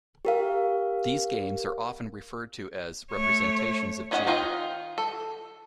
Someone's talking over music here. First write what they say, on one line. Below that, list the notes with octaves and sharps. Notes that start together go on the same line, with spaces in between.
These games are often referred to as "representations of G".
G4 A#4 F5
A3 C#5
D#3 C#4 D#5 F#5
D#3 D#4 F4 D#5 G5
A4